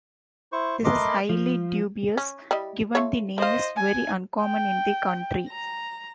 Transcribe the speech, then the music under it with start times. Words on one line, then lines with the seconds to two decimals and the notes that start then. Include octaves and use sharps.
This is highly dubious, given the name is very uncommon in the country.
0.52 E4 C5 C#6
0.84 A3 A#4 B4 D#5 C6 D6
1.29 F3
2.17 C#4
2.51 G3 E4 D#5
2.95 A3 F4 C#5
3.38 E4 C5 D#5 F5
3.76 G#5
4.42 G5
5.49 A#5